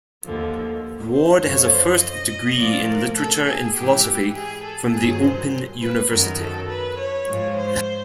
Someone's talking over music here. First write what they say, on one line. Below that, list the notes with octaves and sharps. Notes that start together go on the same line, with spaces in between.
Ward has a first degree in Literature and Philosophy from the Open University.
D#2 D3 F3
C5
F#2 D3 F3 C#5
C5
D#5
A2 F3 D5
A#4
A4
G#4
G#2 E3 G4
G#4
A4
G2 D#3 F#3 G#4
C5
B4
F#2 D#3 F#3 A#4
A4
B4
C#5
G#2 F3
C5